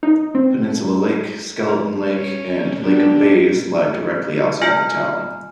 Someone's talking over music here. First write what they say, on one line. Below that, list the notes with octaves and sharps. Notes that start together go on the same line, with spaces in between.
Peninsula Lake, Skeleton Lake, and Lake of Bays lie directly outside the town.
D#4
C4
C#4
B3 D4 G4
F4 G#5 F6